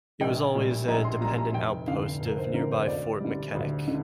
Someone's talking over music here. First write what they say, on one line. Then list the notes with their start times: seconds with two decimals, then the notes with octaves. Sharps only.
It was always a dependent outpost of nearby Fort Mackinac.
0.21 A#1 G5
0.55 A#2 G3
0.88 A#1 A#5
1.04 C6
1.21 A#2 G3 A#5
1.38 A#5
1.54 F1 G5
1.87 F2 D3 F5
2.21 F1 A#4
2.38 C5
2.54 F2 D3 A#4
2.72 C5
2.87 D2 D5
3.20 D3 G3
3.55 D2
3.88 D3